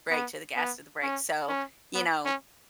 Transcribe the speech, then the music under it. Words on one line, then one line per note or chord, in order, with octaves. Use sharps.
brake, to the gas to the brake, so, you know.
B3
B3
C#4
C#4
B3
C#4